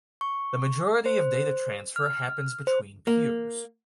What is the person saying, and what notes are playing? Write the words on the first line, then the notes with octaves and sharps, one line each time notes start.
The majority of data transfer happens between peers.
C#6
C5
F6
C5
A#3